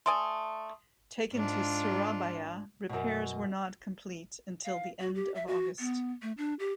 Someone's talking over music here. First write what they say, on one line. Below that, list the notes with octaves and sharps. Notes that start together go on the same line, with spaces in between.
Taken to Surabaya, repairs were not complete until the end of August.
A3 D5 G#5 C6 D#6
G#2 D4 F4
F#2 B2
F5
F#4
G4
E5
F#4
B3
A3
D4
G4